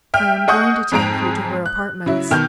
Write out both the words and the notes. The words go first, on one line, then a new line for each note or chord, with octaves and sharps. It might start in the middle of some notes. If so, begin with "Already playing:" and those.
I am going to take you to her apartments.
E5 G5 F6
G#4 D#5 F#5 C#6 D#6 G6
F2 G#2 G#3 A#5 D7 F7
F#6
C#3 F#3 E4
B2 D#3 F6 G6